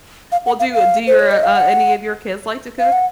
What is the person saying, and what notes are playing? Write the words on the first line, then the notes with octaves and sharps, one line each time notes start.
Well, do you do your, uh, any of your kids like to cook?
F5
F#5
F5
F5
C5
C#5
D#5
F5
F#5
F5
F#5